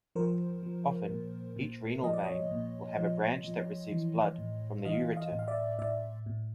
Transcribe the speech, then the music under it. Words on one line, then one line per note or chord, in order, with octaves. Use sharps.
Often, each renal vein will have a branch that receives blood from the ureter.
F3 A#4 C5
F3
A#2
A#2
F3 D#5
D5
C#5 D#5
A#2
F3
F3
E3
A2
E3 D#5 F5
D#5 F5
A2
F5
D5 E5
A2 D5 E5
A2